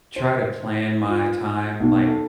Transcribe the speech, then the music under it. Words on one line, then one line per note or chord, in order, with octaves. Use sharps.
try to plan my time, like,
C5
F4
B1
A4